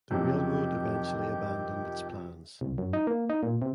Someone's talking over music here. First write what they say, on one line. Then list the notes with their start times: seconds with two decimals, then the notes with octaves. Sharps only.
The railroad eventually abandoned its plans.
0.11 F2 C3 D#3 F#3 G4 G6
2.61 C2
2.78 F#2
2.93 D#4
3.07 A#3
3.30 D#4
3.43 A#2
3.62 C3